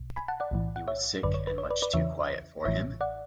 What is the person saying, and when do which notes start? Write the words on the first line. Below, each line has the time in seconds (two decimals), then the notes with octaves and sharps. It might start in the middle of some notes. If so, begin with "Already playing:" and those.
He was sick, and much too quiet for him.
Already playing: B1 B2
0.16 G#5 B5
0.28 F#5 A5
0.40 D5 F#5
0.51 B1 A2 E3
0.76 F#5
0.88 C#5 E5
1.23 G#1 F#2 D3 B4 D5
1.34 C#5
1.47 B4
1.58 C#5
1.70 B4 D5
1.82 B4 D5
1.94 E2 C#3 E3 C#5 E5
2.65 A1 A2 E3 C#5 E5
3.01 D5 F#5